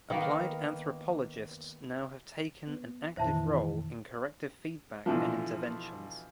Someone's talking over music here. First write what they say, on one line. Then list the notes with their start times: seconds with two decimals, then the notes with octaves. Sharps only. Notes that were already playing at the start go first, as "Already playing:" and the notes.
Applied anthropologists now have taken an active role in corrective feedback and interventions.
0.10 D#3 A#3 B3
2.68 B3
3.17 F2 A#2 D#3 E3 C5 E5 A5
5.06 B2 D3 E3 F3